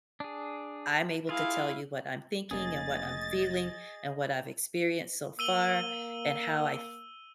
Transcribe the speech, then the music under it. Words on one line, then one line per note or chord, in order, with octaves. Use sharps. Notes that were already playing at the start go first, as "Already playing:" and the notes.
I'm able to tell you what I'm thinking and what I'm feeling and what I've experienced so far and how I f
D4 G#4
E4 F4 G#4 F5
F1 A#3 C#4 G#4 D#5 A6
A#3 E6 D#7 G7